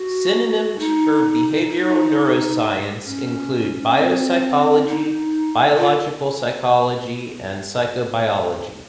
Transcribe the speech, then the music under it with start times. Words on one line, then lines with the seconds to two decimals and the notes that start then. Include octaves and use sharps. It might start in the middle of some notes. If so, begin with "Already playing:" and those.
Synonyms for behavioral neuroscience include biopsychology, biological psychology, and psychobiology.
Already playing: F#4
0.79 D#4
1.69 D#4
3.06 C#4
3.96 C4
4.87 D#4
5.78 F4